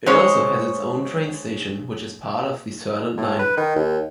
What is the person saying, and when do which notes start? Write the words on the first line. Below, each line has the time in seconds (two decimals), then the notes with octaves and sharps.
It also has its own train station, which is part of the Sørland line.
0.06 G#3 D#4 C5 C#5
3.17 A2
3.39 B4
3.57 D#3
3.76 D#2